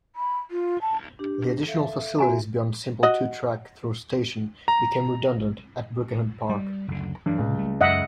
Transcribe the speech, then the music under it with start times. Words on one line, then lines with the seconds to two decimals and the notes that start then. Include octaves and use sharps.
The additional facilities beyond a simple two-track through station became redundant at Birkenhead Park.
0.16 B5
0.51 F4
0.81 A5
1.19 D4 G4
1.67 A4 E5 F5
2.19 F#4 G#5 A#5
3.03 F#4 D#5
4.68 A#5
6.49 G3
6.88 F#1 D2 D3
7.26 G2 E3 F#3 G3
7.38 C#2 A2 C3
7.55 G3 A3
7.81 F#2 D#5 E5 F#5